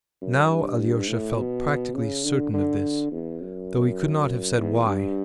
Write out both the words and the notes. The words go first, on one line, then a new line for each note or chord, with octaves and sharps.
Now Alyosha felt practically certain of this, though he could not have said why.
F#2
G2
A2
B2
C#3
D3
D3
E2
F#2
E2
G2